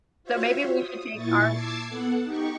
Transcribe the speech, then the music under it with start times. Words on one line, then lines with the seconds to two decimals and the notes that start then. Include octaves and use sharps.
So maybe we should take our
0.24 F4 F#4 C5 C#5 E5
0.77 D#6
1.13 A#2 E4 C#6 A6
1.51 A5 D6 E6 G#6 A6 C7
1.89 B3 A4 F#5
2.24 D#4 G4 C#6